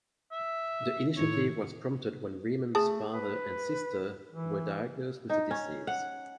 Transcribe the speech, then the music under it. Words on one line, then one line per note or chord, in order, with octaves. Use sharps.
The initiative was prompted when Rehman's father and sister were diagnosed with the disease.
E5
A2 D#3 C#5
A3 G#4 A5
B4
E3
D#4
C#4
F#5